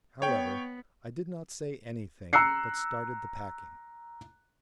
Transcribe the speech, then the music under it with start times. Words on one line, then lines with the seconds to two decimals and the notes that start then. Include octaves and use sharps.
However, I did not say anything, but started the packing.
0.22 B3 C#5 G5
2.33 A#5 E6 F#6 C7 C#7